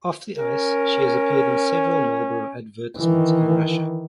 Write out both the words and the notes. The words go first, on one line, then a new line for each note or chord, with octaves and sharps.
Off the ice, she has appeared in several Marlboro advertisements in Russia.
C#4 A#4
D#3 E3